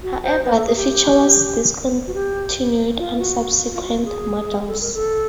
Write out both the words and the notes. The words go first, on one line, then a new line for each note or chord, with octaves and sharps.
However, the feature was discontinued on subsequent models.
F#4
C5
B4
A4
G#4
G4
F#4
G4
F4
F#4
F4
F#4
G#4
A4
A#4
A4